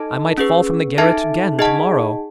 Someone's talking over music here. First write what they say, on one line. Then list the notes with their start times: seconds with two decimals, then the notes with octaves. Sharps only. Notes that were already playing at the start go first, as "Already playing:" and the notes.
I might fall from the garret again to-morrow.
Already playing: D#4 A4 D#5 A5
0.38 C#4 G#4 B4
0.98 D#4 A4 E5 A5
1.59 D#4 G#4 D#5 F#5 A5